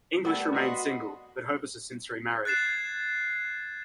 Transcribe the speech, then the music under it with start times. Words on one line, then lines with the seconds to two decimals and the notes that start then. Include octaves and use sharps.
English remained single, but Hovis has since remarried.
0.25 G3 A3 B3 A#4 F#5
0.55 F#4 D#5 B5 C6
2.45 F#6 G#6 A6 C7 E7